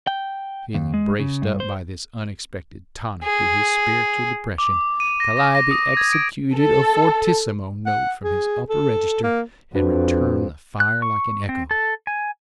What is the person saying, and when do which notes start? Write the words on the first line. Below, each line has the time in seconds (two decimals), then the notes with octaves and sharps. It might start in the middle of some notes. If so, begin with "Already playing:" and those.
Feeling braced up by this unexpected tonic to his spiritual depression, Calliope executed a fortissimo note from his upper register, and returned the fire like an echo.
0.07 G5
0.75 D#2
0.94 G#3
1.19 C#3
1.42 G2
1.60 C5
3.24 G#4
4.58 D6
5.00 D#7
5.20 A#6
5.37 A#6
5.55 A#6
5.71 D#6
5.97 G#6
6.13 D7
6.55 A4
7.86 F#5
8.23 G#4
8.69 A4
9.23 A#3
9.75 F2 D4 F#4 B4
10.80 F#6
11.02 C#6
11.49 C4
11.71 A4
12.07 G#5